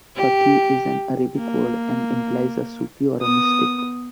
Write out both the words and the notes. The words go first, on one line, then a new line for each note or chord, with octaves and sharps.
Fakir is an Arabic word, and implies a Sufi or a mystic.
G4
A#3
B3 D#6